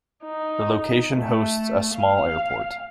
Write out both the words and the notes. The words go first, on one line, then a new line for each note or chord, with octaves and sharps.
The location hosts a small airport.
D#4
A3
F5